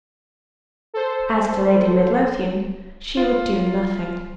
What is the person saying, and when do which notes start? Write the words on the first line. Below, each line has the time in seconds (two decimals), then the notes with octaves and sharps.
As to Lady Midlothian, she would do nothing.
0.94 A4 C5
3.17 F4